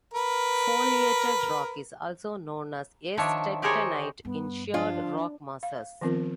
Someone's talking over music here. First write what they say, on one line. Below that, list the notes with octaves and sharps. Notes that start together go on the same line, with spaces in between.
Foliated rock is also known as S-tectonite in sheared rock masses.
A#4 B4
D#3 F3 D4 C#5 E5
G4 G#4 A#4 C5 C#5 G#5
G2 B3
F3 D4 F4
F5
D#3 F3 B3 C4 F4 A#4